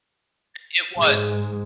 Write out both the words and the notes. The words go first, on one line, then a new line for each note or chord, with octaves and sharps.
it was.
G#2 G#3